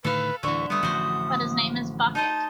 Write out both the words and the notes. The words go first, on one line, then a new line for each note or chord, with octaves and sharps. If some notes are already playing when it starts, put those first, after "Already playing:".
But his name is Bucket.
A2 D3 D#3 A4 B4 F5
D1 D3 E3 E5 C#6
G3 A3 B3 D#6
A1 D3 F3 F#4 C5
D#4 C5 D#5 A5